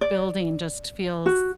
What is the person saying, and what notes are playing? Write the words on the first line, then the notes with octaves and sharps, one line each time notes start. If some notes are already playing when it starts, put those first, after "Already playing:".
building just feels
D5
F#4